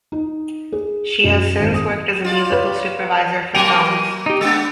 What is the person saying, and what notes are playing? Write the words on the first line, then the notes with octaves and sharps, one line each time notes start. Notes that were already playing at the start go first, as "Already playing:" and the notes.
She has since worked as a musical supervisor for films.
D#4
G#4
F#2
G#1
D#6
F4 D5
B4 C#5
F#3 A#3 A#4 G5 G#5 C6 C#7 F7
D#4 G4
G#3 B3 D4 E6